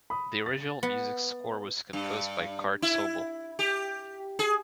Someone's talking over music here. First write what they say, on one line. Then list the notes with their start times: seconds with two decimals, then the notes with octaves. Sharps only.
The original music score was composed by Curt Sobel.
0.10 B5 D#6
0.46 A6
0.83 B3
1.93 G2
2.82 E4
3.59 G4
4.39 G#4